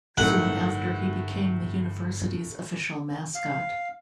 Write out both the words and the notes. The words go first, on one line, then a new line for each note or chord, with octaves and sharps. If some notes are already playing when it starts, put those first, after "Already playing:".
Soon after, he became the university's official mascot.
G1 A2 D#3 F#3 F#5
F5